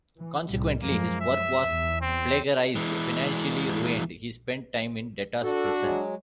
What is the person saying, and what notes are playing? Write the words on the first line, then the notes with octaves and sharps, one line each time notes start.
Consequently, his work was plagiarised; financially ruined, he spent time in debtors' prison.
E3
C2 A2 G3
F#2 F3 G#3 A#3
E5
E2
C4
E3 G#3
D4 F#4 A4
F#3 G#3